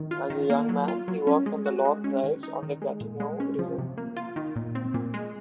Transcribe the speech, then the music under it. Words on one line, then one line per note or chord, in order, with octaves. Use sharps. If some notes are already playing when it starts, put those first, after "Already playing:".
As a young man, he worked on the log drives on the Gatineau River.
Already playing: D#3
F4
D#3
A#3
F#3
F4
F#3
C#4
G#3
F#4
G#3
C#4
D#3
D#4
D#3
G#3
A#2
G#3
C#4
F3
C3
A#3
F4
D#3
A#2
C4
A#2
G#3